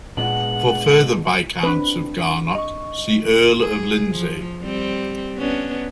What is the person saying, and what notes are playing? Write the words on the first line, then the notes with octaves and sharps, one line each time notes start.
For further Viscounts of Garnock, see Earl of Lindsay.
A#2 G#3 B3 D4 F#5 F#7
C4 D4 B4
D#5 C#6
G#4
F3
G3 C4
B3 C#4 D4